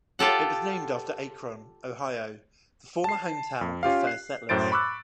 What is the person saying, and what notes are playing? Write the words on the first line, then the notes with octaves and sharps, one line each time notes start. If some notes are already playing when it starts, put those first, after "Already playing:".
It was named after Akron, Ohio, the former hometown of first settlers.
F4 G4 A4 F#5
A5 C7
F2
C#4 F4 G4 F5
F#6 C7
F#2 A2 C5 A6 D7
B5 C#6 D6 E6 F#6